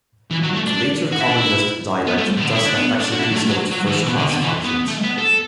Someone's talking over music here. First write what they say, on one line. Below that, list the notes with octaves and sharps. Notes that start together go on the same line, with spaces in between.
The later Common Lisp dialect does have lexically scoped first-class functions.
E3
F#3
A3
D4
F#4
E4
D4
E4
B3
A3
B2
D3
E4
D4
B3
D4
F#4
E4
D4
F#3
A3
F#3
F#3
D3
E3
B2
D3
B2
E3
B3
A3
B3
A4